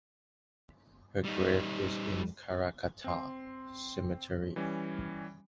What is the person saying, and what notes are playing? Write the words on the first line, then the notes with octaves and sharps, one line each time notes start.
Her grave is in Karrakatta Cemetery.
G3 D#4
C4 C6
E3 G3 C#4